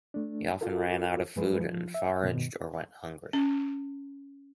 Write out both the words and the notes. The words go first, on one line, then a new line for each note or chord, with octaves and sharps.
He often ran out of food and foraged or went hungry.
A3 D4
F4 F#4 A4 A#4
F#2 F3 G#3 G#4 B4
F3
E5
G2 B2 D#3
C#4